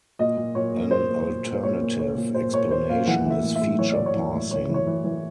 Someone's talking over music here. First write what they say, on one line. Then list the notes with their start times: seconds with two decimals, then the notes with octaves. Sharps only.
An alternative explanation is feature passing.
0.19 A#2 D#5
0.37 A#2
0.55 A#2 C#5
0.74 A#2
0.91 A#2 C5
1.09 A#2
1.27 A#2
1.45 A#2
1.54 C5
1.63 A#2 C#5
1.81 A#2
1.99 A#2 C#5
2.17 A#2
2.34 A#2 C5
2.53 A#2 C#5
2.71 A#2 C5
2.90 A#2 F5
3.07 E3 F#5
3.25 E3
3.30 E5
3.42 A2
3.55 E5
3.61 A2
3.79 E3 C#5
3.92 D5
3.97 A2
4.06 C#5
4.15 E3
4.33 A2
4.51 A2 C#5
4.69 E3
4.74 C#5
4.87 E3
5.04 E3